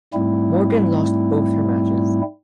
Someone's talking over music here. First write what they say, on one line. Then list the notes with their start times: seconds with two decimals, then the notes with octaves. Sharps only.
Morgan lost both her matches.
0.14 G#2 G3 A3 C4 E4